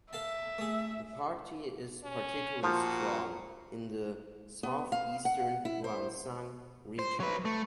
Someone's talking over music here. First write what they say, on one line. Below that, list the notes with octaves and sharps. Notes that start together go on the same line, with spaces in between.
The party is particularly strong in the southeastern Gyeongsang region.
A4 E5 F5 A5
A3 G#4
C#4
A#2 F3 F#4
B3
F5
F#5
E4
C5
C5
F#3 B4
A3